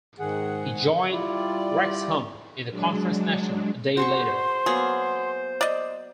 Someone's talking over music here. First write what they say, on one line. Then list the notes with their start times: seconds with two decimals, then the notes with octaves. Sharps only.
He joined Wrexham in the Conference National a day later.
0.19 G#2 D#3 G#4 F#5
1.11 G3 E4 F4 D5
2.71 F#3 G#3 D4
3.97 F#4 G#4 C5 C6 C#6
4.66 F#3 A#3 B3 G#4
5.61 D5 D#5